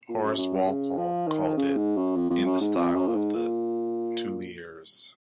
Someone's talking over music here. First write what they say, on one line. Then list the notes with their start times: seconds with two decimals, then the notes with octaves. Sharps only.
Horace Walpole called it "in the style of the Tuileries".
0.09 A#2
0.24 F#2
0.37 F#2
0.67 C#3
0.98 F3
1.27 D#3
1.57 C#3
1.76 G#2
1.96 F#2
2.16 F2
2.30 F2
2.46 F#2
2.60 G#2
2.75 F2
2.95 F#2
3.07 A#2
3.15 G#2
3.35 A#2